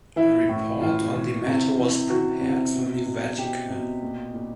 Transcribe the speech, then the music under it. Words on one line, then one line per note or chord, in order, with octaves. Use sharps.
A report on the matter was prepared for the Vatican.
E3 E4
A2
A2 F4
E3
C3
E3
E3 F#4
C3
B2
B2
B2 G4
B2
A#2
A#2